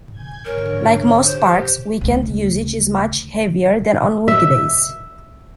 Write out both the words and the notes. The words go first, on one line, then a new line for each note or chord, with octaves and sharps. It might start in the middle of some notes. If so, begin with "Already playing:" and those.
Like most parks, weekend usage is much heavier than on weekdays.
G#5 G6 G#6
G#2 D3 A#4 C#5
G4 C5
D2 C#3
E5